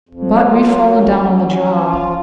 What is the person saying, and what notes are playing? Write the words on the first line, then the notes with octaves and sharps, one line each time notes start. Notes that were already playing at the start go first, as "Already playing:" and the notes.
But we've fallen down on the job.
F2
F#3
F4
F#3
F#3
C#4
F#3
C#4
C#4
F3
F4
F3